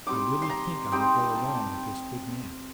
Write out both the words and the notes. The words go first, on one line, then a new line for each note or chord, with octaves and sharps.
I really think I will go along with this good man.
G3 C4 D#4 D6
C6
A#5
G3 C4 D#4 G5
A5